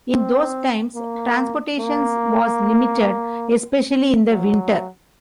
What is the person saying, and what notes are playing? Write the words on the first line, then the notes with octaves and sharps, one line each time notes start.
In those times, transportation was limited, especially in the winter.
C4
A#3
A#3
F#3